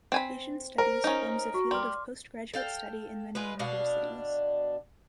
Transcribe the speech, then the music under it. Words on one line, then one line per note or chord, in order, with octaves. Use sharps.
Asian studies forms a field of post-graduate study in many universities.
C4 G#5 B5
A#4 C5
C#4 D#4
F#4 C#6
G3 C6 D6 F6
A4 F5 G5
G#3 F4 B4
B2 D4 F5